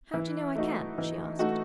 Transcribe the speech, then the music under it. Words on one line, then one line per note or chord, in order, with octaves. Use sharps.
"How do you know I can?" she asked.
E3
A3 D#4 F#4
E3
A3 D#4 F#4